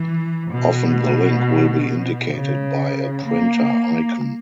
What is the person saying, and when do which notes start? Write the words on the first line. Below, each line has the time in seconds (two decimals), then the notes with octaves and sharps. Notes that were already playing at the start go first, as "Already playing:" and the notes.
Often the link will be indicated by a printer icon.
Already playing: E3
0.51 B2
2.34 C#3
3.25 A#3